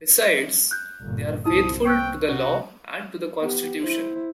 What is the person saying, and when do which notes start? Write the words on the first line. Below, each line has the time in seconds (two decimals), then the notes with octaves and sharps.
Besides, they are faithful to the law and to the constitution.
0.71 F#6 G6
1.01 G1 A#2
1.45 C2 C4 D#4 E4 D#6
1.85 G5 C#6 E6 F#6
2.28 C3 F#4
3.39 B3 G4
3.82 E4 C5